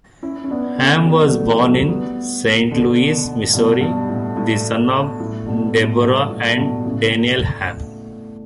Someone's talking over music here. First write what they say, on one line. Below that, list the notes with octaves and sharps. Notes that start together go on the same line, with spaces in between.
Hamm was born in Saint Louis, Missouri, the son of Deborah and Daniel Hamm.
C#4 E4
C#4
B3 D4
A3 C#4
G3 B3
F#3 A3
E3 G3
F#3 A3
G3 B3
B2 D3
G2 B2
G2
A2
A2
A2
G2 B2
A2
G2
A2
G2 B2
A2 C#3